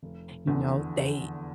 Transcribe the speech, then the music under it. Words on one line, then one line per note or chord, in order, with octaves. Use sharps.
You know, they
F1
E2 D3